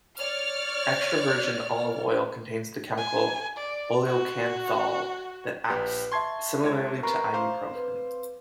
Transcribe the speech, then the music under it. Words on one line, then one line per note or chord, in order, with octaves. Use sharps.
Extra-virgin olive oil contains the chemical oleocanthal that acts similarly to ibuprofen.
C#5 D5 F6
G#5
D5
F#4
A#1 G4 B4
E5 A5 C6 C#6 G#6 C7
C#2 C#5 G#6
A#4 B4 A#5 C#6 C7
C5 F5 D6
C4 B4